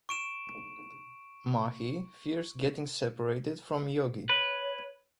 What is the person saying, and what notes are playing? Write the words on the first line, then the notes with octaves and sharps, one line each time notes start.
Mahi fears getting "separated" from Jogi.
C#6 D7 E7
B4 C#5